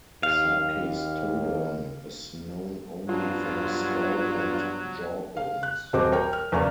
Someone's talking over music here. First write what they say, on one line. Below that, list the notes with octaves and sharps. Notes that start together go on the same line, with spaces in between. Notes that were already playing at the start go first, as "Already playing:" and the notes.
"Sarkastodon" is known only from a skull and jawbones.
D#2 F5
G2 F3 F#3 B3 F4
F5
F#6
D#1 F#3 C4 D#5 D6
A#4 C#5 G5
F6
E2 C#3 C#4 A#4 D5 F6